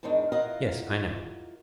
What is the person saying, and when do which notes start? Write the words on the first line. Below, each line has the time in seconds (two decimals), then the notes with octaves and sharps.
Yes, I know.
0.03 E2 G#2 D#3 D4 D#4
0.32 E4 F4 A#4 D#5 F5 F#5